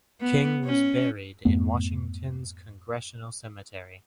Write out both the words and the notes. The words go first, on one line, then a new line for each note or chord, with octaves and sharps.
King was buried in Washington's Congressional Cemetery.
B3
C#4
F2 G#2 A3 B3